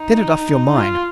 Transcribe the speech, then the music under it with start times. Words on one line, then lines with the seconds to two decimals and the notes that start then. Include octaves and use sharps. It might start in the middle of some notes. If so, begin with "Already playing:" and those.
Get it off your mind.
Already playing: D#4
0.77 F4